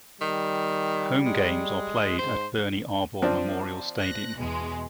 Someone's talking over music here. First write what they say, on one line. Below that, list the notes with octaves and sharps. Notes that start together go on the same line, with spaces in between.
Home games are played at Bernie Arbour Memorial Stadium.
D#3 G3
G#3
G#2 C5
F3 C4 D4
F#6 A#6
E2 B2 G#3